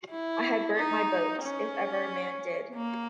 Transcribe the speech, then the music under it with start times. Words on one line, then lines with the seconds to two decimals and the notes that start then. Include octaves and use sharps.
I had burnt my boats — if ever a man did!
0.10 E4
0.76 D#4
1.42 C#4
2.75 A#3